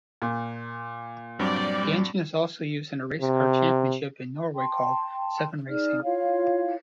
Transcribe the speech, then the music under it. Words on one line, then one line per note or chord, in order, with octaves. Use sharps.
The engine is also used in a racecar championship in Norway called SevenRacing.
A#2
G2 F#3 G3 C4 D5
C3
G5 A5 C6
D#4 G#4 D5 F6
E4 F4 C#5 F5